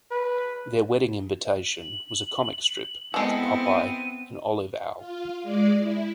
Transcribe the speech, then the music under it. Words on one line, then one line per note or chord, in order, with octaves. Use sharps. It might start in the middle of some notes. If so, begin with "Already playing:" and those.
Their wedding invitation was a comic strip with Popeye and Olive Oyl.
B4
F#7
G#3 B3 C4 E4 A4
D#7
F4
G#3 D5
E4